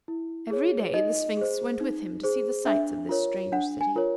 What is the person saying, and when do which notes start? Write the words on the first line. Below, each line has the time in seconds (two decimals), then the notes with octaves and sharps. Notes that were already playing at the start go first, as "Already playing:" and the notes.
Every day the Sphinx went with him to see the sights of this strange city.
0.08 E4
0.50 G#4 C#5
0.94 D#4 D#5
1.37 G#4 C5
1.80 D#4
2.23 G#4 C5
2.66 D4 E5
3.09 F4 A#4 C#5
3.52 D4 F#5
3.81 G#5
3.95 F4 A#4 C#5